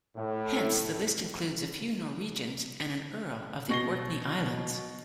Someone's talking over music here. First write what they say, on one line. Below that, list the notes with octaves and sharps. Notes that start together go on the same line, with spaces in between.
Hence the list includes a few Norwegians and an earl of the Orkney Islands.
A2
B2 C#6 A#6 C7 G7